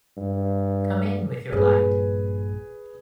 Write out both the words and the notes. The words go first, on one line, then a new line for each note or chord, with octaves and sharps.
Come in with your light.
G2
A#1 G2 A#2 G#4 B4